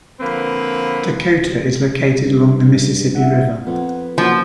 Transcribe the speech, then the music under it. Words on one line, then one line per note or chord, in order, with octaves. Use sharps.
Dakota is located along the Mississippi River.
D3 F3 A#3 C4 B4
G2
E4 F#5
F2 B3
F#1 F3 A#3 F#4 C#5